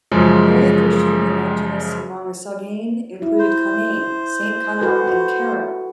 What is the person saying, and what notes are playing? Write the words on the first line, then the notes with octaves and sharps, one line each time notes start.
Early Christian evangelists among the Soghain included Conainne, Saint Connell and Kerrill.
F#2 C#3 F3 G#3
E4
C5
F#4 A4 B4
F#4